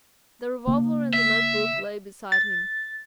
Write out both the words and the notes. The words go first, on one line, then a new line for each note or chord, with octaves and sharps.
The revolver and the notebook lay beside him.
C#3 A#3
E5
A6